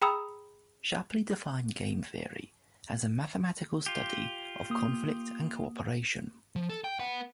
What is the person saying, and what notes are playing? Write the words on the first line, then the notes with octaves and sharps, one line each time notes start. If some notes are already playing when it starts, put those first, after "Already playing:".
Shapley defined game theory as a mathematical study of conflict and cooperation.
G#4 G5 A#5 B5 D#6 E6
F4 G4
A#3 D#6
F3
A4
G5
B4 F#5